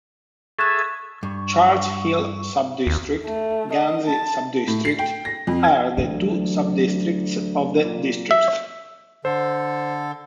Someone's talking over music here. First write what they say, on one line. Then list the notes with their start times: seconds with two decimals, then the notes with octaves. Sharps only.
Charles Hill Sub-District, Ghanzi Sub-District are the two sub districts of the district.
0.59 G#4 A4 E5 C#6 F#6 E7
1.23 G2 C#6
2.87 D#2
3.25 A3
3.73 D#5
4.07 A5
4.67 A2
4.85 C7
4.99 G5
5.25 A#6
5.47 F2
5.64 G#6
5.97 D2 E3 F#3
7.83 A#2
8.31 E5
9.25 D3 A4 C5